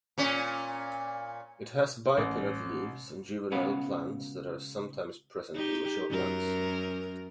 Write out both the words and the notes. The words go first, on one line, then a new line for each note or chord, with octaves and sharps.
It has bipinnate leaves on juvenile plants that are sometimes present on mature plants.
A#2 C#4
A1
C#2 B2 C#4 F5 F#5 B5
D#4 G4
F#2 A#4